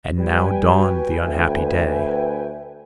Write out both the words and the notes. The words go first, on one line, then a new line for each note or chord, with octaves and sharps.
And now dawned the unhappy day.
G3 B4 G5 G#5
F#4
D2 E5